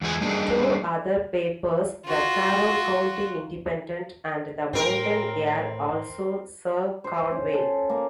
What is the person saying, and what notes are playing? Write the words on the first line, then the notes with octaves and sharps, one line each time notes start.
Two other papers, "The Carroll County Independent" and "The Mountain Ear" also serve Conway.
E2 E3 F3 G#3 D#4 G#5
G3 A#3 D4 D#4 F#4 G#4
F4 F#4
A2 C4 A#4
C5
C#4
A4
A#3